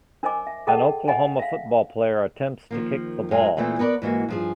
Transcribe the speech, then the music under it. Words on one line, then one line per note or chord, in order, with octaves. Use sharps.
An Oklahoma football player attempts to kick the ball.
D4 A#4 C5 D#5 G#5 D6
E5
G#4 A4 D#5 F#5 G5 A5
C#5 D#5 F#5 G#5
E5 F5
D#3 F3 A#3
F#2 G#3 F4
A#2 E3 A3 B3 C4
B3 A#4 B4 C#5 D5
G#2 E3 A#3 F#4
G2 F3 G#4